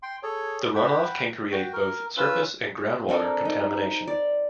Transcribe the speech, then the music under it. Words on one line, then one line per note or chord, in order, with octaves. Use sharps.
The runoff can create both surface and groundwater contamination.
G5 C6
G#4 A4 C#5
F#5 G5 B5
F#4 G5
A#4
C#4 F4 B4 E6
C4 D4 A4 A#4
D#4
D5